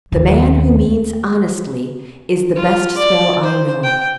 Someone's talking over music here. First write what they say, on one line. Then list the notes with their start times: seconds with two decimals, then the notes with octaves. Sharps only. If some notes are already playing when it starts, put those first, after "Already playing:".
The man who means honestly is the best swell I know.
0.12 D#2
2.56 F4
2.97 D5
3.43 C5
3.83 G5